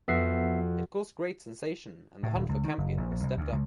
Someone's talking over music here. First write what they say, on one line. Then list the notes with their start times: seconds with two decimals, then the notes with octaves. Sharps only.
It caused great sensation, and the hunt for Campion was stepped up.
0.08 F2 B3 F#4 E5 C7
2.23 A2
2.35 D#1
2.49 C#2
2.64 D#3
2.78 F#1
2.97 A#1
3.11 A#1
3.23 C2
3.37 D2
3.52 C#2